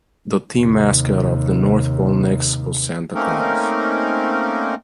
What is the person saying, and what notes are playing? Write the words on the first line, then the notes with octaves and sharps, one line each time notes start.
The team mascot for the North Pole Nicks was Santa Claus.
D#2 C3
A3 A#3 C4 C#4 D#4 A#4